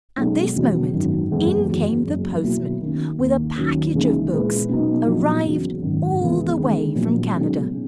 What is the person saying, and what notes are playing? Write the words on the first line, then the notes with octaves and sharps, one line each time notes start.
At this moment in came the postman with a package of books, arrived all the way from Canada.
B1 B2 G#3 C#4
E2 B2 F#3 C#4
G#1 F#2 D#3 F#3
F#1 E2 C#3 E3 G#3
F#1 E2 C#3 F#3 C#4
F#1 F#2 C#3
B2 F#3 A#3 E4
D#3 A#3 C#4
D#2 D#3 A#3
D#2 D#3 F#3 C#4
C#2 C#3 E3 A#3 D#4
A#2 G#3 B3 E4 B4
B2 F#3 B3 D#4
A#1 A#2 F#3 B3
E2 C#3 F#3
G#1 F#2 D#3
C#2 C#3 E3 B3
D#3 G#3 C#4
A#1 A#2 F#3 B3
B1 B2 G#3 C#4
C#3